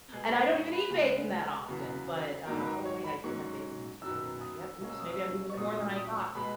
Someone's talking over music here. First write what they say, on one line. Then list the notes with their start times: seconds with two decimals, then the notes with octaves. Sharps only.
and I don't even eat bacon that often, but, um oh, wait, I did have bacon yesterday, didn't I? Yep, oops, maybe I'm eating it more than I thought.
0.12 B2 G#3 B3 G#4
0.27 B4
0.32 A#4
0.44 D#5
0.52 C#5
0.71 B4
0.90 C#2 C#3 G#3 B3
1.68 E2 C#3 F#3 B3
2.46 G#2 D#3 F#3 A#4
2.56 B4
2.66 A#4
2.85 C#5
3.04 B5
3.24 G#2 F#3 C#4 C#6
4.02 F#2 D#3 F#3 B3 E6
4.41 D#6
4.79 B2 A#3 C#4
4.90 E6
5.00 D#6
5.09 E6
5.50 C#6
5.57 A#2 F#3 C#4 D#6
5.77 D#6
5.96 D#6
6.16 C#6
6.35 B2 G#3 B3 B5